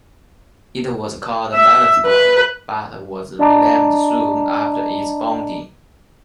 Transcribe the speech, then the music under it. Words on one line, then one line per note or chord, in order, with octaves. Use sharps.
It was called Mellenskov, but was renamed soon after its founding.
E5
B4
D4 D5 D#5 A5 A#5 D6